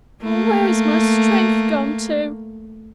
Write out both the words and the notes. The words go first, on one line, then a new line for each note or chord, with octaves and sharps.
Oh, where is my strength gone to?
A3 A#3